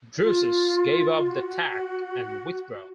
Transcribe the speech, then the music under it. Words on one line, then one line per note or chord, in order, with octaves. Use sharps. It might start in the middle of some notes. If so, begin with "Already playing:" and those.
Drusus gave up the attack and withdrew.
F4
F#4